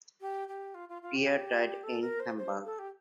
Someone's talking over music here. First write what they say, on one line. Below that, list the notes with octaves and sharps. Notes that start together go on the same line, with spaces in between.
Peyer died in Hamburg.
G4
G4
F4
F4
F4
G4
A4
A#4
C5
C5
A4
G4